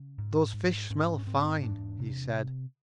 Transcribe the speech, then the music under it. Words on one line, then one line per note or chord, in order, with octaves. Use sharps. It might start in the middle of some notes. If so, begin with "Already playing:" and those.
"Those fish smell fine," he said.
Already playing: C#3
G#2
G#2
G#2 C#4
C#4
G#2 C4
E2 D4
C3